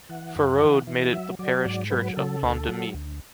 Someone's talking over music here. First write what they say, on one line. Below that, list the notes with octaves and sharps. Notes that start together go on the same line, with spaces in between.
Féraud made it the parish church of Plan-des-Mées.
E3 F#5
F#2
E3
E3
F#3 E5
F#3 D5
G#2 D5
F#3 B4
C#3 A4
D2
F#3
D2